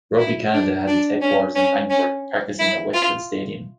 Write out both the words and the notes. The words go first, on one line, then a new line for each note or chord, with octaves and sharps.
Rugby Canada has its headquarters in Langford practicing at Westhills Stadium.
E4
D4
D4
C#4
C#4
C#4
E4
F4